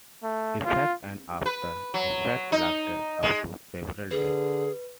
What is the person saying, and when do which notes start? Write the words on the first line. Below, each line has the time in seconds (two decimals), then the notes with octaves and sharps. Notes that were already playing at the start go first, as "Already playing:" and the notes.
Effects and after-effects lasted up to several days.
0.23 A3
0.65 F4
1.46 B4
1.94 F#3
2.52 D#4
3.23 G#3
4.11 D3 G#4 B4